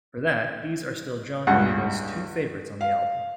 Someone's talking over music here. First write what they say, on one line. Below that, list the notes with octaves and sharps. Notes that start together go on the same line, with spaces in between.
For that, these are still Jon Oliva's two favorites on the album.
C#2 G2 F#5
F5